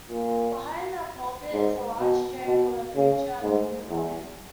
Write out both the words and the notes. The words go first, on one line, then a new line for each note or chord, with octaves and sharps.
Behind the pulpit is a large chair for the preacher and the new organ.
A#2
G#2
B2
B2
C#3
G#2
E2